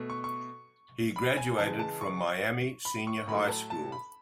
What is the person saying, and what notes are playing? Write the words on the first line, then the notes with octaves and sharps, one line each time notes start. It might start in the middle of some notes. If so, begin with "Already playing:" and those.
He graduated from Miami Senior High School.
Already playing: B2 A3
C#6
C#6
B5
G#5
C#3 E3 G#3 A5
A5
C#6
B5
C#6
A2 F#3 A3 B5
A5
A5
B5